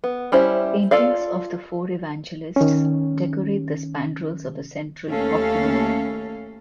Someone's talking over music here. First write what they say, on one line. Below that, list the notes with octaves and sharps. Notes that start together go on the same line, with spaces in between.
Paintings of the four evangelists decorate the spandrels of the central octagon.
B3
G3 C#4 E4 C5 E5
F4 A4 D5 F5
D#3 C#4
D#2 A3 C#4 A4 F5